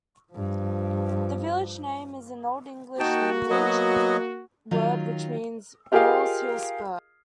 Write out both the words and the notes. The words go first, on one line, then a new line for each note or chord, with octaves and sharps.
The village name is an Old English language word which means 'Mul's hill spur'.
G2 F3
A#3 D#4 F#4 G5 A5
F#3 B3 D#5
D#3 F#3 F4
F4 G4 G#4 A#4 D#5 F5